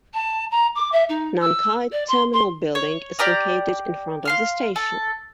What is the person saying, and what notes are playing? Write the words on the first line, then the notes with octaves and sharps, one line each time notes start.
Nankai Terminal Building is located in front of the station.
A5
A#5
D6
E5
D#4
E6
D5
C6
C6
C#5
G4 D5 A#5 F6
F5 C6 F6
A4